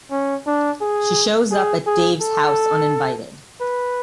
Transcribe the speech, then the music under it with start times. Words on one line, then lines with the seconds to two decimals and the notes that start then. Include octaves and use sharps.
She shows up at Dave's house uninvited.
0.11 C#4
0.47 D4
0.81 G#4
1.51 G#4
1.87 G#4
2.21 A4
3.61 B4